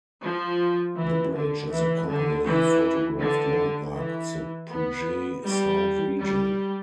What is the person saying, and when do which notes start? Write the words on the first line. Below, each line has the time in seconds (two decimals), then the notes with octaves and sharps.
The bridge is a commonly photographed landmark of the Puget Sound region.
0.22 F3
0.96 E3
1.34 D3
1.72 E3
2.08 D3
2.47 E3
3.20 D3
3.95 E3
4.70 B3
5.44 G3
6.19 G3